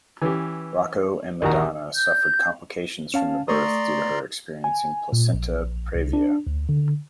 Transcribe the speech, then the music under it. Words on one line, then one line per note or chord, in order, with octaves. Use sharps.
Rocco and Madonna suffered complications from the birth due to her experiencing placenta praevia.
E3 C#4 G4
A#1 D#2 D#3 F#4 A#5
G6
C#4 F5 A5
A3 D5 A#5 C6 C#6 D#6
G#5
A#2
A#1
C2
D4
D2
D3